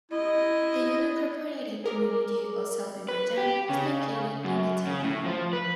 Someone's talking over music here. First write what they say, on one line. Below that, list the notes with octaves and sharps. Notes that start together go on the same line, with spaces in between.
The unincorporated community of South Beaver Dam is located in the town.
E4 D#5
G#4 A#4 D6
B4
G4
C#3
F#2
C#3
A2
F3
B4